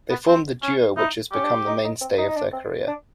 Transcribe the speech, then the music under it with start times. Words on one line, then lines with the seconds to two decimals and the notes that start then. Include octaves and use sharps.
They formed the duo which has become the mainstay of their career.
0.10 B3
0.28 C4
0.62 C#4
0.97 D#4 E4
1.32 C#4 G4
1.44 D4
1.67 D#4
1.84 D#4
2.01 C4
2.18 D#4
2.28 D#4
2.36 D4
2.53 C4
2.88 D4